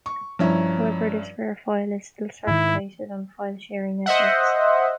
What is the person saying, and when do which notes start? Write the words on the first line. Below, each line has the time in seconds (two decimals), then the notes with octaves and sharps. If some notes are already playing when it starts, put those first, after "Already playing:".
However, this rare file is still circulated on file sharing networks.
0.06 C#6
0.39 G2 F3 C#4 E4 A#5
2.47 G#2 D#3 E4
4.06 C5 D#5 E5 F#5